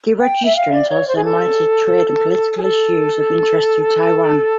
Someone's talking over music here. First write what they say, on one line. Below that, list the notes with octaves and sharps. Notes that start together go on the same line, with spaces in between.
The registrant also monitored trade and political issues of interest to Taiwan.
G5
E5
F5
D5
C#5
C5
G#4
A4
G#4
A4